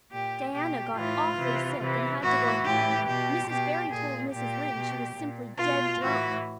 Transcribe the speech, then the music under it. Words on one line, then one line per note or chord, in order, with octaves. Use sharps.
Diana got awfully sick and had to go home. Mrs. Barry told Mrs. Lynde she was simply dead drunk.
A#2 G4
B2 G4
A2 E3 F4
C3 E3
C3 E3
A2 E3 F#4
A2 E3 G4
B2 G4
B2 G4
A#2 G#4
A#2 G4
B2
A#2
B2 F4
A2 E3 F#4